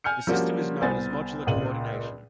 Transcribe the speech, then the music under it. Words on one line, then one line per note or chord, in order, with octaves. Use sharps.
This system is known as "modular coordination".
G#5 F6 G6 C#7
F3 G3 A#3 C#4 D4 F#4
C2 B3 C5 G#5 A6
C#2 A#2 D#7 F#7